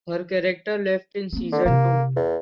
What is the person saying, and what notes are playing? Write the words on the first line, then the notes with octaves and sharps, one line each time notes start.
Her character left in season two.
A#3 C4
D3
C3 A#3 E4
E2